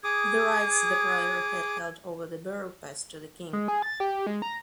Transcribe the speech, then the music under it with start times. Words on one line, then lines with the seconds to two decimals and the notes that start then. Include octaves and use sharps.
The rights the priory had held over the borough passed to the king.
0.04 G#4 D6 D#6 G#6
3.53 G#3
3.68 G#4
3.82 A6
4.00 G4
4.27 G#3
4.42 A#5